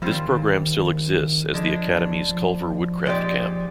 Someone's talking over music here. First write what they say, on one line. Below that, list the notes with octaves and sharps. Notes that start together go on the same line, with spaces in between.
This program still exists as the Academy's Culver Woodcraft Camp.
A#2 F3 G3 C4 F4 C5
D#3
D3
D#3
D3 F3 G#3 D4
F3
A#2 G#3 D#4 G4 D5